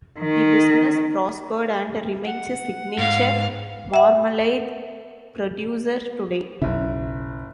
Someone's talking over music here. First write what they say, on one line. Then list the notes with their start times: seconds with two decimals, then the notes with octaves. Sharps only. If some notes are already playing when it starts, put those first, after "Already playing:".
The business prospered, and remains a signature marmalade producer today.
0.20 D#3
2.26 F#5
2.98 G#2 F5
3.94 E5 F#5
6.62 F#1 B1 C#3 E4